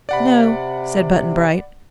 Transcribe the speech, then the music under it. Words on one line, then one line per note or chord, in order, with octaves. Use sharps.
"No," said Button-Bright.
C3 D5 F#5 B5